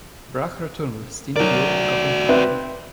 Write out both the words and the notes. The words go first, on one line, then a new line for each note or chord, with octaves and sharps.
Brahe returned with Steen Bille to Copenhagen.
F#3 F#4 A#4 D5
C4 B4 E5